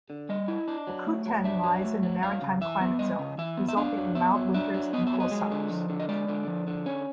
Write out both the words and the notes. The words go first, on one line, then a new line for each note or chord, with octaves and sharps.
Akutan lies in the maritime climate zone, resulting in mild winters and cool summers.
D3
G3 D#5
E4
D4
F#3
A3
F#3
D4 E5
F#3
A3
F#3
G3 F5
C#3
E3 E5
B3
G3 D#5
C#3
E3 E5
B3
E5
D4 F5
F#3
B3 E5
F#3
D4 E5
F#3
B3 D#5
E5
F#3
D#5
G#3
D3
F3
D3
D#5
G#3 D5
D3
F3
D3
C#4 C#5